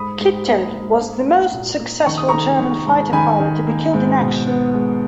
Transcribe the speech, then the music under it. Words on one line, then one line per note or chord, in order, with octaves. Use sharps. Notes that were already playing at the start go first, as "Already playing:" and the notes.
Kittel was the most successful German fighter pilot to be killed in action.
Already playing: G#2 B5 D#6
G#2
A#3
G#2
A#3
A#3
A#2
A#3
D#3 C#6
D#6
D#3 A#5 C#6
D#3
G#2
D#3 G#5 B5
D#3
A#3
G#2
B2
B3
G#3